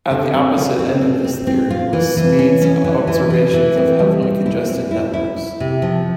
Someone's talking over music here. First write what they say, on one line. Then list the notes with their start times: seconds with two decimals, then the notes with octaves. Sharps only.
At the opposite end of this theory was Smeed's observations of heavily congested networks.
0.11 D3
0.34 C4
0.57 F4
0.79 C4
1.01 C4
1.24 C4
1.47 C4
1.70 F4
1.93 E3
2.17 E3
2.39 C#4
2.62 C#4
2.84 E3
3.07 E3
3.30 E3
3.54 E3
3.76 C4
3.99 G3
4.22 C4
4.46 E4
4.69 C4
4.91 E4
5.13 E4
5.36 E4
5.60 C3
5.82 F3